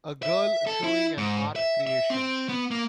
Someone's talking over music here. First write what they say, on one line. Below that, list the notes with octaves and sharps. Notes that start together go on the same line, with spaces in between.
A girl showing an art creation.
E5
A4
E4
G#2
E5
E5
C4
B3
A#3